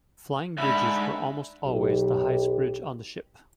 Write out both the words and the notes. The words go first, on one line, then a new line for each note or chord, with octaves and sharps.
Flying bridges were almost always the highest bridge on the ship.
E2 G#2 D3 E5 B5
B1 G4